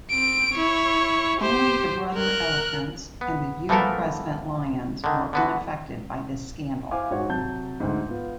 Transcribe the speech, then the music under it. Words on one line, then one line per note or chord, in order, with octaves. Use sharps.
Only the Brother Elephants and the Uni-President Lions were unaffected by this scandal.
C4 D7
E4 C#5
G4 C5
A#4 F#6
B3
E3 F3 A3 B3 A4 A#4
D3 D#3
D3 B3 F#4
E4 C5 F5 G#5 D6
G#2 F#4 C#5
C3 F#3 A5 G6
D2 G#2
B3 F4